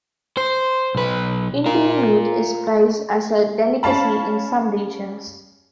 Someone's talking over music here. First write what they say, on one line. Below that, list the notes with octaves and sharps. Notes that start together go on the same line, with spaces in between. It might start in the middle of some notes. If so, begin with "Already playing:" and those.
Indri meat is prized as a delicacy in some regions.
C5
B1 B4
F4 A#4
C#4 C#5 F5 A5 B5